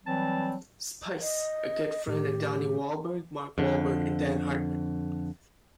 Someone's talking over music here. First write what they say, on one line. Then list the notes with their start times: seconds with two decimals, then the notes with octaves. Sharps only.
Spice, a good friend of Donnie Wahlberg, Mark Wahlberg, and Dan Hartman.
0.04 E3 F#3 G3 C4 A5
1.21 D#5
2.07 A2 D#3 G4
3.58 F2 D3